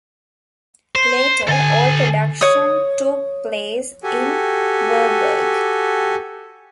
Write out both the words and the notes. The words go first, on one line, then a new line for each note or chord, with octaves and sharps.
Later all production took place in Varberg.
C5
D3 A4 G#5
C#5 D#6
F#4 G4 A4 G#5